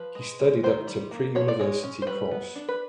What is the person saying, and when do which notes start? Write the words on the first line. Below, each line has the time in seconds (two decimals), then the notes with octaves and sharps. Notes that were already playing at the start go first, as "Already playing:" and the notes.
He studied up to Pre University Course.
Already playing: F3 B4
0.15 G#3
0.39 C#4
0.63 D#3 C5
0.87 G3
1.11 A#3
1.35 F3 C#5
1.48 D5
1.59 G#3 C#5
1.83 C#4
2.02 C5
2.07 G3 B4
2.31 B3
2.55 D4
2.69 B4